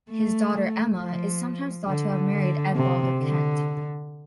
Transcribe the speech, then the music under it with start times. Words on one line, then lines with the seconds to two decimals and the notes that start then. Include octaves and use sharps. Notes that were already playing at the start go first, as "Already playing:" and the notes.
His daughter Emma is sometimes thought to have married Eadbald of Kent.
0.11 A3
0.99 F3
1.88 D3
2.32 D3
2.76 C3
3.20 D3